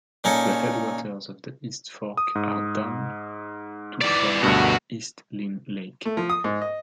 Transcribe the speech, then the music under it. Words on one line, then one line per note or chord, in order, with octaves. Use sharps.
The headwaters of the East Fork are dammed to form East Lynn Lake.
A#2 C#4 D#4 A4 C#5
D#6
G#2
E3 D5
D2 G2 B2 F#4 A#4
A3
F3
D#6
G#2
D#5